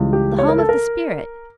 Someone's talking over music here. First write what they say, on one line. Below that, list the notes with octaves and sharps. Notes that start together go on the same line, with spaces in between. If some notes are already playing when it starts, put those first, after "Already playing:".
The Home of the Spirit!
Already playing: C#2 C#3 E3 G3
G4
C#5
A#4
A4
A#4